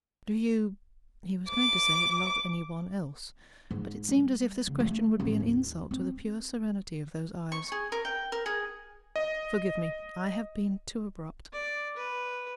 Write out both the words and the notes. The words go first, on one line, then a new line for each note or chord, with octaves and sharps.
'Do you'--he was going to say--'love any one else?' But it seemed as if this question would be an insult to the pure serenity of those eyes. 'Forgive me I have been too abrupt.
D6
G#2
G3
C#3
A3
A1
D#2
C4
C#6
G#4
A#4
G5
A#4
G#4
D#5
D5
B4